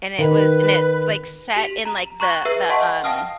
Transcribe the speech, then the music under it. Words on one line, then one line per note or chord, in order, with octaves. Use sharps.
And it was and it's, like, set in, like, the the, um
D#3 B4
G4 B6 F7 F#7
A#5
A#5 C#6 F#6 G#6
G#4 B4 E5 E6 C7
D#5 E5 F#5 A5 C6 C#6
F5 G5 A5 D#6 F6